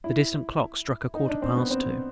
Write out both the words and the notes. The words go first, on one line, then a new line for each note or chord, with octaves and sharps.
The distant clock struck a quarter-past two.
E4
D#4
D4
C4
B3
C4